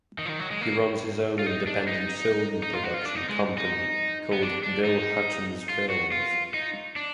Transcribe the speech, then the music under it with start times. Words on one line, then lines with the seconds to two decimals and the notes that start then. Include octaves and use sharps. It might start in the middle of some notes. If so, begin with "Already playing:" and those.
He runs his own independent film production company called Bill Hutchens Films.
0.18 D#3
0.25 F3
0.29 D#3
0.40 F#3
0.51 G#3
0.61 A#3
1.39 F4
1.46 D#4
1.67 D4
1.88 D#4
2.63 D#4
2.73 F4
2.84 F#4
2.94 F4
3.05 D4
3.15 D#4
3.29 G#3
3.58 D#4
4.33 B3
4.42 D4
4.63 D4
4.85 D#4
5.69 F4
5.90 F#4
6.12 F4
6.54 D#4
6.96 D4